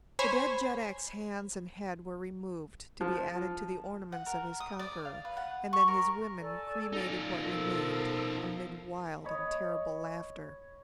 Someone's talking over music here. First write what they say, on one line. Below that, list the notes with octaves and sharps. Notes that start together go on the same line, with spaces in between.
The dead jeddak's hands and head were removed to be added to the ornaments of his conqueror, and then his women cremated what remained, amid wild and terrible laughter.
C5 C#5 G#5 B5
F3
F#5
A#4
D#6
D5
F5
B4
F#5
C#6
A#4
A4 D5 G#5
D#4 F4
B2 F3 A4 A#4
C#5 D#5 B5